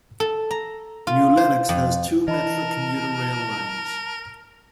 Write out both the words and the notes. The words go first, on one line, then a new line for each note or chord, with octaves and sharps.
New Lenox has two Metra commuter rail lines.
A4
A#5
F4
C5
F2
E3 A#4 D#5 A5 B5